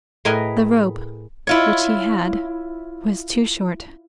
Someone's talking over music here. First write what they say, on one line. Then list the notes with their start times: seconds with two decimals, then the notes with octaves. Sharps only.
The rope which he had was too short.
0.25 A2 G#4 A#4 B4 D#5 G#5
1.47 E4 F4 C#5